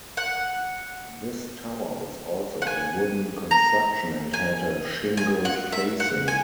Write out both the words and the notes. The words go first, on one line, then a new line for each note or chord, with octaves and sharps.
This tower was also a wooden construction and had a shingled facing.
F#5
F#5
G#5
A#5
G#5
G#5
F#5
E5
F#5
G#5